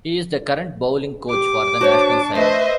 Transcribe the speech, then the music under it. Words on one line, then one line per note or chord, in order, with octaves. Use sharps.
He is the current bowling coach for the national side.
G4 D6
D4 F#4 C5 C#5 A5
A3 B4 C5 D#5 E5